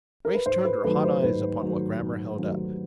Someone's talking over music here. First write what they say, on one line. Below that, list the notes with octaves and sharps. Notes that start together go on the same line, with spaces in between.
Grace turned her hot eyes upon what Grammer held up.
A#4
B4
G#2 C5
B4
D#3 F#3 A3 B4
C5
G#2 B4
D#3 F#3 A3
G#2
D#3 F#3 A3